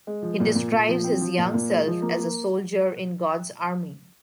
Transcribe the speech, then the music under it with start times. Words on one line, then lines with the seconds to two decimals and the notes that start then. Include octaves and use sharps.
He describes his young self as a "soldier in God's army".
0.07 G#3
0.22 F3
0.40 A#2
0.55 A#2
0.72 A#2
0.88 F3
1.04 C4
1.21 F3
1.38 A#2
1.54 A#2
1.70 G#3
1.87 F3
2.02 A#3
2.19 A#3